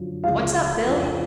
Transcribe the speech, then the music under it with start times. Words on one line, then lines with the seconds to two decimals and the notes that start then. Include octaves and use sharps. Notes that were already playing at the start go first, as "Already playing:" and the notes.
"What's up, Bill?"
Already playing: F#2 D3 F3
0.24 C#2 C#3 F3 F5
0.86 F2 C#3 F3